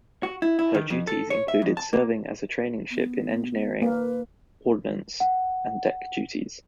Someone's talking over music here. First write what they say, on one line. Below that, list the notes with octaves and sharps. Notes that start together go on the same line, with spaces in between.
Her duties included serving as a training ship in engineering, ordnance, and deck duties.
F#4
E4
E4
D#3
F2
A4
C#5
E5
F2
A5
A#3
B3
A#3 B4
F#5